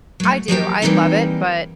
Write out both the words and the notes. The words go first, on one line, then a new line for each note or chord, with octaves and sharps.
I do, I love it, but
F#3 A3
F3 F#3 A#3 G4
E3 G3 A3 A#3 C4 D#4